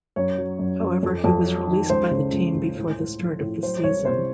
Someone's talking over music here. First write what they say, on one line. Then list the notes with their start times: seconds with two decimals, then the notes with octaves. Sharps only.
However, he was released by the team before the start of the season.
0.16 F#2 C#5
0.38 F#3
0.59 F#2
0.81 F#2
1.03 F2
1.24 F2
1.47 F#3
1.67 D#3
1.89 C#2 C5
2.11 C#3
2.32 C#2
2.55 C#2
2.76 A2
2.98 A2
3.19 F3
3.40 A2
3.63 F#3 C5
3.84 C2 C#5
4.05 C3 C5